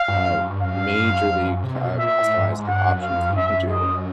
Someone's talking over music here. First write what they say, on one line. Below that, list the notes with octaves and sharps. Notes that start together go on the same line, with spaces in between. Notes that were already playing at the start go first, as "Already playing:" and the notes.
uh, majorly, uh, c customized, like, options that you can do
Already playing: F5
G2
F#2
F#2
G2
F#2 F5
G2
F#2
G2
F#2
F2
F#2
C3
B2
A#2 E5
A2
G2
G#2
G#2
G2 F#5
F#2
F5
F2
G2
F#2 E5
D#5